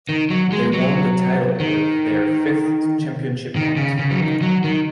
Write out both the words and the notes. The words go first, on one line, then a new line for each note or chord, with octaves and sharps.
They won the title with their fifth championship point.
D#3
F#3
G#3
F#3
D#3
D#3
C#3
C#3
F#3
D#3
F#3
D#3